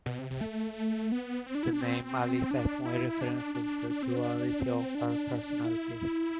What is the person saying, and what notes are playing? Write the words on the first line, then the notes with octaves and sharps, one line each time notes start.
The name "Alice et Moi" references the duality of her personality.
B2
C3
C3
A3
B3
C4
D4
E4
D4
C4
D4
E4
D4
D4
D4
C4
D4
C4
D4
E4